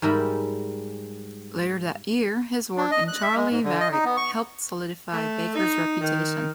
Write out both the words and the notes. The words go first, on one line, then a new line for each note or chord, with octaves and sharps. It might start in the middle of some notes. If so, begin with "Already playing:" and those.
Later that year, his work in "Charley Varrick" helped solidify Baker's reputation.
G#2 G3 A#4 E5 B5
D4
D#5
F#6
E5
G#3
G#2
D3
D#5
D#4
B3
C#6
A3
D#4
D#3